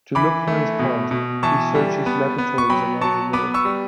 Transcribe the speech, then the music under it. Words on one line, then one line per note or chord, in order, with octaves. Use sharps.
To look for his past, he searches lavatories around the world.
E3 B5 D6
A3
B2
B2
E3 A5 C#6
G3
B3
B3
C#6
F#3 G5 B5
F#3 A5 C#6
B3 B5 D6
C#6 E6
G3